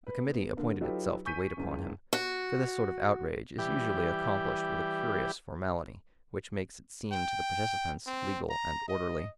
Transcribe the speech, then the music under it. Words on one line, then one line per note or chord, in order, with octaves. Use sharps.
A committee appointed itself to wait upon him; for this sort of outrage is usually accomplished with a curious formality which makes it seem to the participants legal and orderly.
B4
B3
D3 A#3
F#3 D#4 F4 G4 A4 B4
G#5 C#6 G6 B6 D#7
F#1 C#2
F#4
E3 G3 G4
G5
C4
A#5
D#5